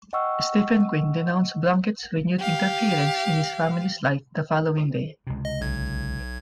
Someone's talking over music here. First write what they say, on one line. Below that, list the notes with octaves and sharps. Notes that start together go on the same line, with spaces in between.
Stephen Quinn denounced Blunkett's renewed interference in his family's life the following day.
D#5 F#5 G5 C#6 E6 F6
G4 F5
C#2 C3
D#5
B1 G#6